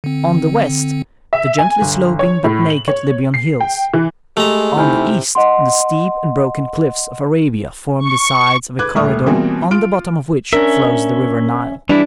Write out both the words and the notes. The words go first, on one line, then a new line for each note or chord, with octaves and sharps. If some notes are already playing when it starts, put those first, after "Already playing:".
On the west the gently sloping but naked Libyan hills, on the east the steep and broken cliffs of Arabia form the sides of a corridor on the bottom of which flows the river Nile.
D3 C4
E5
G#5
G1
C#5
A2
F#7
C#5
C7
G5
E3
G#3 A3 G4 A#5
C3 D#4 E4 G#5 B5 F6 G6
D#5 F#5 C6
C#6
B4 D6 F#6 G#6
D#1 A2 E5 C#6 D#6 F6
B2 E3 G3 A#3 C4 F#4
F4 F6 D7
C#4 D4 A#4 E5
E3 G3 D4 E4